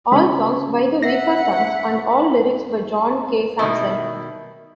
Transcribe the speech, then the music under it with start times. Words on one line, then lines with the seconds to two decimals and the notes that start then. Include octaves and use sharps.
All songs by The Weakerthans and all lyrics by John K. Samson.
0.12 C#3 G#3 C#4 B6
1.02 E5 F#5 A#6 C7
3.59 B2 D#3 E4